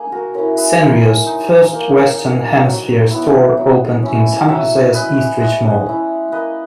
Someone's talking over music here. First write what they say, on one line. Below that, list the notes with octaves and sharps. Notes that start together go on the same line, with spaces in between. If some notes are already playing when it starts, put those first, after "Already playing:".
Sanrio's first Western Hemisphere store opened in San Jose's Eastridge Mall.
Already playing: A#3 D#4 G#4
F#4 A#4
C#4 E4 A#4 C#5
G#4 B4
G#3 A#4 C#5
D#4
A#3
D#4
F#3
B3 E4
F#3
C#4 E4
F#3 C#5 E5
C#4 E4 B4 D#5
C#5 E5
G#3 D#5 F#5
C#4 E4
A#3 B4 D#5